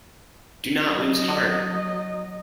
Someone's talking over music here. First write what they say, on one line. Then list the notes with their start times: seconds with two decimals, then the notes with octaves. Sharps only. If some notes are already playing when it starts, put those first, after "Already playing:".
Do not lose heart!
0.92 F#3 D#5